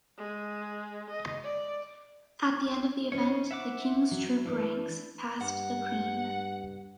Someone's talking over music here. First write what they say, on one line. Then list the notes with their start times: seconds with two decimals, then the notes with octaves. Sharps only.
At the end of the event, the King's Troop ranks past the Queen.
0.18 G#3
1.10 D#5
1.44 D5
3.12 C#4 D#4 C5 C#5
3.51 E5 F#5 D6
4.11 F#3
4.46 E3 D4 B4
5.41 G2 F#5